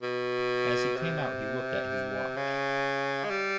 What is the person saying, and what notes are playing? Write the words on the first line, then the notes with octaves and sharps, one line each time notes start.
As he came out he looked at his watch.
B2
C3
C#3
G#3
G3